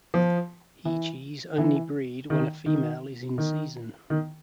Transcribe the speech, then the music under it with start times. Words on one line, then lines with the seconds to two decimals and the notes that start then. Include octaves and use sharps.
Heechees only breed when a female is in season.
0.14 F3
0.85 E3
1.58 E3
2.30 D#3
2.66 D#3
3.38 D#3
4.10 D#3